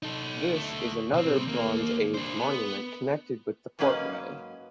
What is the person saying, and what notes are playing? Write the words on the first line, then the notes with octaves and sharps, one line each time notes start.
This is another Bronze Age monument connected with the Portway.
D#4 A4
D2 A3
C2 C4
D#2 A#3
D4 C5
B3
G#2 F#3 A#3 C#4 B4 D#5